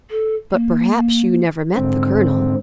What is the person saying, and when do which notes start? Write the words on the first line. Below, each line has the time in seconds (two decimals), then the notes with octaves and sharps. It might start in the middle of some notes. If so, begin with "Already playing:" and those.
"But, perhaps, you never met the colonel."
0.10 A4
0.51 A#3
1.76 G#2 D3 C4